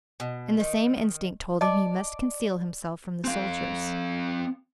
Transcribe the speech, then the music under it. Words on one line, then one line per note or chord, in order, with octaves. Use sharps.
And the same instinct told him he must conceal himself from the soldiers.
B2
D#3
D5 D#5 A5 D6
C4 F5